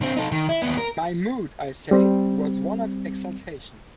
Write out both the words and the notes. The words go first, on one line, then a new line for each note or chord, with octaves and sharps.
My mood, I say, was one of exaltation.
D3 C4
D#4 A4
D#3
E4
D#2 B3
A#4
G3 C4